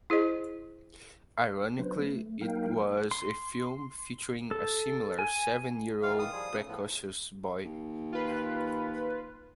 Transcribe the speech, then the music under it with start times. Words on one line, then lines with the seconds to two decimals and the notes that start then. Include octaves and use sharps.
Ironically it was a film featuring a similar seven-year-old precocious boy.
0.10 E4 G#4 C5 D#5
1.79 F#3 B3 D4 B4 C5
2.01 A3
2.41 F#3 A#3 D#4 A#4 F5 G5
3.11 C6
4.51 A4
5.19 G#5
6.03 D#3 E3 F4 F5
6.19 D#6
6.32 F3 G3 G#4
6.53 C#3 A3
6.68 A2 F3 B3
7.65 D#2
8.13 F4 B4